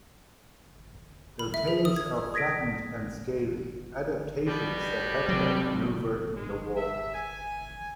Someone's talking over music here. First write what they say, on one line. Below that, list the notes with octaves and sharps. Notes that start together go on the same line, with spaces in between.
Their tails are flattened and scaly, adaptations that help them manoeuvre in the water.
B5
E5
G#4
D#6
G#6
D#6 G#6 A#6 B6 D7
B2 G3
C3 F#3
G#3
E5
G#5